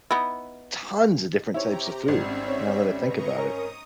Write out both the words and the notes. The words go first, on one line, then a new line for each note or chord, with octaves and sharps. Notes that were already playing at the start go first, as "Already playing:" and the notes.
tons of different types of food, now that I think about it,
B3 D#4 E4
C3 E4 G4 C#5 A#5
G#1 G3 C4 C#4 E5
C#5
B4 D#5 A#5 C#6
C#4 A#4 D#6